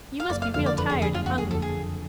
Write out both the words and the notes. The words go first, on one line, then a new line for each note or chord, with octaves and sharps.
You must be real tired and hungry.
F5
F#1 D5
F5
F2 D3 F5
D5
F#1 B4
G#4
F2 D3 G#4
F4
F#1 F#4
G#4
F2 A4
D3
G#4
F#1